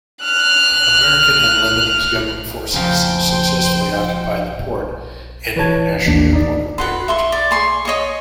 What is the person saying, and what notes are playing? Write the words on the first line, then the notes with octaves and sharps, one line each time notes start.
American and Lebanese government forces successfully occupied the port and international airport of Beirut.
F6 F#6
F2 C#3 F3 C5 F5 G5
E3 B4 C#5 A5 G#6
A1 D#2 D#3 D4
D#4 D5
B4 F#5 C6
E5 C6 C#6
D5
G#4 C6 C#6
C#5 D#5 G#5 C#6